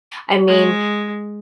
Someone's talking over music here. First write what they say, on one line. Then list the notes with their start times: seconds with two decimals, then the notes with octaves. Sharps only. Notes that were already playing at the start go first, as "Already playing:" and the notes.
I mean,
0.48 G#3